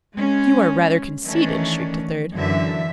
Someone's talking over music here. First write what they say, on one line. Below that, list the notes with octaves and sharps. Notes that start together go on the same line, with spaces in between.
"You are rather conceited," shrieked a third.
G#3 C#4
D#3 E3 A3 C#4 D4
F#2 D3 E3 E5